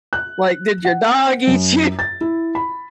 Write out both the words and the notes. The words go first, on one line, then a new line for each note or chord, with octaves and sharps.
Like, "Did your dog eat you?"
F#6
F#5
F#2
A6
E4
B5